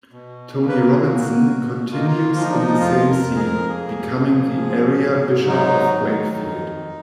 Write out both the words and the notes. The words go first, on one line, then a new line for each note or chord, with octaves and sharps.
Tony Robinson continues in the same See, becoming the area Bishop of Wakefield.
B2
A#3
B4
A#4
G#4
A#3 F#4
B2
A#3 F4
D#4
F4
F3 F4
D#4
D4
D#4
F2 F4
A#4
F2
G#4
A#4
A#3 G#4
F3
G#2
G#2
F#3 D#4
D#3
F2